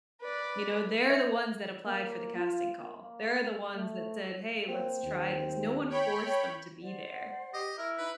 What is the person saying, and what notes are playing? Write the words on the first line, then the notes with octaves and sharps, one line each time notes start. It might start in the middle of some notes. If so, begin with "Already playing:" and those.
you know? They're the ones that applied for the casting call. They're the ones that said, "Hey, let's try this." No one forced them to be there.
B4 D5
E5
A#3
F4
A#3
A3
A#3 C4
D#2
C#5 G5 B5
C5 D5 F#5
G4 D#5
E4 A#4
D#4 B4 E5 A#5